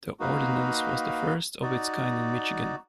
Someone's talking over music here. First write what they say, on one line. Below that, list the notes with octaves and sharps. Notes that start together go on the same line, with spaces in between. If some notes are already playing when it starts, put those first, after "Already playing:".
The ordinance was the first of its kind in Michigan.
A#3 D#4 F#4 B4 F5
D#4 F#4 D5